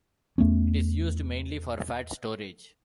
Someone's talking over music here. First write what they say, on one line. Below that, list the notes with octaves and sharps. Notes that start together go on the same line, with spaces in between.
It is used mainly for fat storage.
E2 A3 B3 C#4